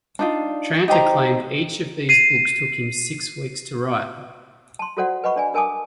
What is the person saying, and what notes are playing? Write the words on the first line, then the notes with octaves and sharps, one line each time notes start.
Tranter claimed each of these books took him six weeks to write.
D4 D#4 F4
D#4 G4 C5 A#5
C7 D#7
A5 C6
F4 F#4 A4 C5 D5 F#5
B4 D#5 F#5 B5 C#6
D4 D5 G#5
D4 A#4 G#5 A5 D6 D#6